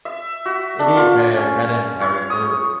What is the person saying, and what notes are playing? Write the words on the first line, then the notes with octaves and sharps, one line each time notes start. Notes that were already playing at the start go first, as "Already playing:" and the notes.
It is a sedentary bird.
E5
F#4
D4
F4
C#4
C#5
D#6